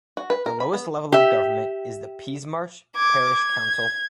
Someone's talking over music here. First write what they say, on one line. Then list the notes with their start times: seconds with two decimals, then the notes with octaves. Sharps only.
The lowest level of government is the Peasmarsh parish council.
0.17 F#4
0.30 B4
0.46 A#4
0.60 B5
0.73 B3
1.12 G4 E5
2.96 D6 G#6
3.34 G#6